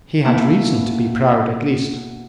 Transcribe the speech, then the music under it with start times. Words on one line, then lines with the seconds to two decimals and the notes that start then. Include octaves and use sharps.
He had reason to be proud, at least.
0.25 B2 A#3 B3 E4